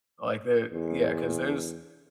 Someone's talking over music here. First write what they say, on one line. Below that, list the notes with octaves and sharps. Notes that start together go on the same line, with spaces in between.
Like the Yeah, 'cause there's
E2